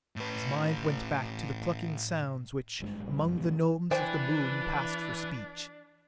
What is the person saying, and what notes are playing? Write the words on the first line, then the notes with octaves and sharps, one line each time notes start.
His mind went back to the clucking sounds which, among the Gnomes of the Moon, passed for speech.
A2 B4
G#1 G2 D3 G#3
A#1 G3
B1 F#2
C2 F2 A2 C3
E3 D4 B4 C5 G5 G#5